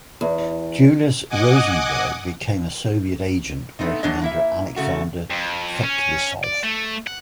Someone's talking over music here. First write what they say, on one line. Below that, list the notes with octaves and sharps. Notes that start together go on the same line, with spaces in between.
Julius Rosenberg became a Soviet agent working under Alexander Feklissov.
E2
D#5 F#5 G#5 D6 D#6
A3 B3 C4 D#4
E2 F#3 D4 C#5 D#5
A#3 E4 E5
G#2 C#3 A3 F#4
F2
C#4
D5
A3
F#5